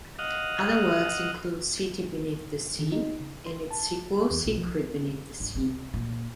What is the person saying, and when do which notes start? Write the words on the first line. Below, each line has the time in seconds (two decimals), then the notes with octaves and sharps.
Other works include "City Beneath the Sea" and its sequel "Secret Beneath the Sea".
0.19 D#5 F5 F#5
2.79 D#3
2.92 D#4
3.20 C#3
3.46 C6
3.71 A5
4.31 E2
4.45 B1
4.58 F3
5.40 G2
5.55 C3
5.94 A#2